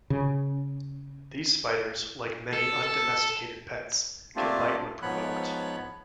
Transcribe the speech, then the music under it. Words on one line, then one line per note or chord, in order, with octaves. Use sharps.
These spiders, like many un-domesticated pets, can bite when provoked.
C#3
A4
A4
A3 A#3 C4 D4 F4 G4
G#2 F3 B3 C#5 B5 F#6